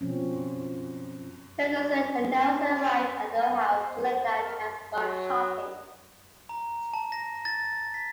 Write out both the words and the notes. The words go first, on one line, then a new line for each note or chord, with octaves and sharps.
Ferguson and Nelson arrive at her house to learn that she has gone shopping.
B2 F3 C4 C#4
C#4
G#5
C5
A#4
F#3
A#5
A5
A#6
A6
B6